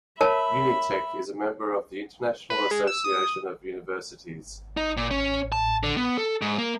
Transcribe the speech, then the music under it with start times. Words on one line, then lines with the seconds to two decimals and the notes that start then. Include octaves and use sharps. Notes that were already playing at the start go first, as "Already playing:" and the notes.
Unitec is a member of the International Association of Universities.
0.21 A#4 C#5 E5 A5 B5
2.50 B4
2.71 G#3
2.87 E6
3.04 D#6
4.77 D#4
4.97 A#2
5.11 C#4
5.52 A5
5.84 D3
5.97 B3
6.18 A4
6.42 G#2
6.58 A#3